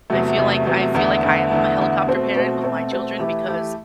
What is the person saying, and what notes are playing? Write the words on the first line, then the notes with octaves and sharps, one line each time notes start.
I feel like I feel like I am a helicopter parent with my children because
E2 C3 F#3 A3
E2 C3 F#3 A3
E2 C3 F#3 A3
E2 D3 A3 E4
E2 D3 A3 E4
E2 D3 A3 E4
E2 D3 A3 E4
B2 A3 C4 F#4
B2 A3 C4 F#4
B2 A3 C4 F#4
B2 A3 C4 F#4
E3 A3 E4 G4
E3 A3 E4 G4